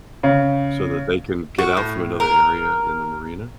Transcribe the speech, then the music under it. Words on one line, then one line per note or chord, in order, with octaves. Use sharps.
so that they can get out from another area in the marina,
C#3
F#4
A2
A#4